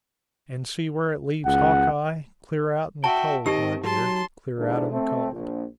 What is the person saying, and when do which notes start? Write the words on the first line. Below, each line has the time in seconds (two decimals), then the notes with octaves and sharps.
And see where it leaves Hawkeye-clear out in the cold, my dear, clear out in the cold.
1.46 C#2 F#5
3.04 F#4 E5 G5 A5
3.46 D#3 C4 D#4 G4 D#5 E6
3.84 F#3 A5 C6
4.57 C#2 G#2 D3 E3 D4
4.91 A3 C4
5.32 A#1